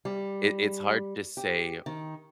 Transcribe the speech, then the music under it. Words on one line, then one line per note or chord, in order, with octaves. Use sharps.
it it's hard to say
G3
G4
D#3